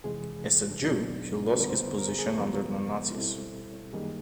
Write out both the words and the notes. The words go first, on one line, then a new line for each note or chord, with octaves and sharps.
As a Jew, he lost his position under the Nazis.
F2 C3 E3 G#3 G#4
E2 B2 F#3 B3 D4
A4
F2 D3 G3 B3 A#4
C5
B4
A#4
G#4
G#4
A4
F2 C#3 F3 G#3 B3 A#4
B2 G3 C4 E4 A4
F#2 D#3 G3 A#3 D#4 G#4